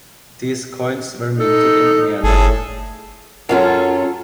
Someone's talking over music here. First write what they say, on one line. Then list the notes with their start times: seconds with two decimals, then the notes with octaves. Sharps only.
These coins were minted in Vienna.
1.40 D#4 A4
2.23 G1 A2 G#4 A4
3.49 F#2 F#3 C#4 F4 A4